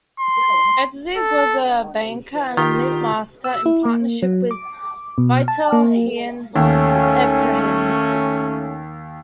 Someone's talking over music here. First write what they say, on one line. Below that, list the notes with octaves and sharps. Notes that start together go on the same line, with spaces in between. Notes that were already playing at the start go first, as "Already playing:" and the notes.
Itzig was a banker and a mintmaster in partnership with Veitel-Heine Ephraim.
C6
A4
D#3 F4 G4
E6
E4
A#3
F#3
D6
B2
A5
A#3
D#2 A3 C#4